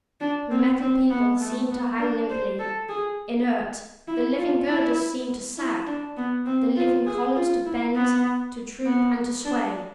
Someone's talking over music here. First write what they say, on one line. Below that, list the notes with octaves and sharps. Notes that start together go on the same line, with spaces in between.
The Metal People seemed to hang limply, inert; the living girders seemed to sag; the living columns to bend; to droop and to sway.
D4
C4
C4
B3
A3
B3
D4
C5
A4
G#4
E4
F4
E4
E4
D4
B3
C4
F4
G#4
F4
E4
B3
B3
D4